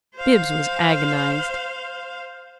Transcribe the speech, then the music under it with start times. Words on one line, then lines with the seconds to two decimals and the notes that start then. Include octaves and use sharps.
Bibbs was agonized.
0.17 C5 F5